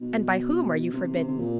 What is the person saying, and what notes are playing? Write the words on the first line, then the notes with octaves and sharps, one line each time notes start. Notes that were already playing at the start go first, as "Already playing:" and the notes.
"And by whom are you forbidden?"
B2
C3
C3
C3
C3
A#2